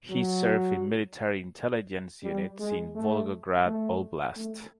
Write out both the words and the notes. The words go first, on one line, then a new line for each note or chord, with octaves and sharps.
He served in military intelligence units in Volgograd Oblast.
F#3
G3
G#3
A3
A3
A3